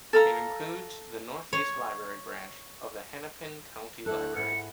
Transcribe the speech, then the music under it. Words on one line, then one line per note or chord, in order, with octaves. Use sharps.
It includes the Northeast Library branch of the Hennepin County Library.
A4 F5 A#5
C#5
D2 E4 A4 F#6
G#2 E4 F#5 C#7